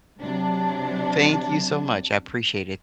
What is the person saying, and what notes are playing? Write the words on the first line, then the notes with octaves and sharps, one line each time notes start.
Thank you so much, I appreciate it.
C3 F#3 D4